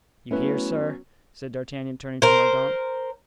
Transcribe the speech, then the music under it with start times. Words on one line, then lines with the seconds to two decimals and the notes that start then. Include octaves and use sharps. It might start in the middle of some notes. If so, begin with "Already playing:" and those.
"You hear, sir," said D'Artagnan, turning to Mordaunt.
0.31 F#3 A3 B3 C#4 E4 B4
2.22 A#4 C5